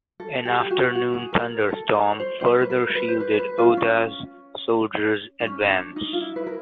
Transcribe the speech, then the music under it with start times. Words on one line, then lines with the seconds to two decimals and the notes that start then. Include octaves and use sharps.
An afternoon thunderstorm further shielded Oda's soldiers' advance.
0.20 A4
0.45 G4
0.60 G4
0.71 F#4
0.95 F#4
1.14 G#4
1.33 A#4
1.70 A4
1.95 C#5
2.20 C5
2.41 C5
2.46 B4
2.61 B4
2.70 A#4
2.90 A#4
2.95 B4
3.08 C5
3.20 B4
3.39 B4
3.58 F4
3.77 C#4
5.40 D4
5.46 C#4
5.70 D4
5.96 D#4
6.13 F4
6.21 E4
6.36 B4
6.47 A#4